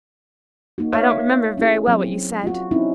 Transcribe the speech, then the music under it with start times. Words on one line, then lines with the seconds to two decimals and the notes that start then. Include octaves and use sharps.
I don't remember very well what you said.
0.78 A#3 D#4 F#4
0.93 C#5 E5 F5
1.58 C#4 E4 G#4
1.88 F#3 C4
2.44 F4 F#4
2.71 C4 C#4 D#4 E4